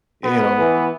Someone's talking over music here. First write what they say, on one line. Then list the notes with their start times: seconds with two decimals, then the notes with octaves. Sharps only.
you know,
0.24 B3
0.59 E3